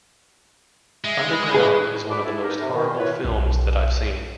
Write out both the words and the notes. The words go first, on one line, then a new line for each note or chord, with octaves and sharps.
"Underground" is one of the most horrible films that I've seen.
G#3 E5
B5
G#4 B4
A3 D4 F#4 F#5 B5 D6
E4 A4
A3 B3 D4 D#4 G4 A#4
C3
A#2 D#3
E4 F4 B4 C#5
B1